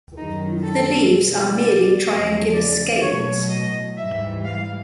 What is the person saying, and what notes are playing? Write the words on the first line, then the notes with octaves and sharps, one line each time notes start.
The leaves are merely triangular scales.
F#2 D#3 G3 D#4
A4
B2 G#3
D5
E2 C#3 F3 A3 D#5
D5
B2 F#3 A3 C#5
D#5
G#2 E3 G3 E5
F5